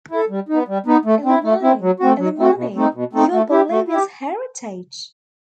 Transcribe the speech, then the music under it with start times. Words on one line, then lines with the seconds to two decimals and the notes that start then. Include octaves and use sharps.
Illimani, Illimani, you are Bolivia's heritage!
0.11 E4 A4
0.30 G3
0.49 B3 D#4
0.68 G3
0.86 B3 D#4
1.05 A3
1.25 C4 E4
1.44 A3
1.62 C4 E4
1.81 F#3
2.00 A3 C4 F#4
2.19 F#3
2.38 A3 C4 F#4
2.56 B2
2.75 A3 C4 D#4
2.94 B2
3.13 A3 C4 D#4
3.32 A3
3.51 E4 G4
3.70 A3
3.88 E4 G4